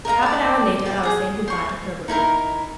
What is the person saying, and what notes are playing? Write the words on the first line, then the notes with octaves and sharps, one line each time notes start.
Half an hour later I was saying good-bye to Herbert.
A#4 D#5 F5 A#5
D5 A5
D5 G5
G#4 D#6
C5 C#6
D#4 E4 A#4 A#5